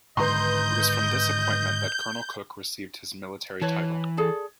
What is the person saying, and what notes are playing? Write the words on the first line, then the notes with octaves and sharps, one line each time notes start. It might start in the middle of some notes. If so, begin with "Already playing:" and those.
It was from this appointment that Colonel Cook received his military title.
G#2 D3 D#3 B4 D#5 A#5 C6 G6
E3 B4 C#5 A5
G#4 A4 D5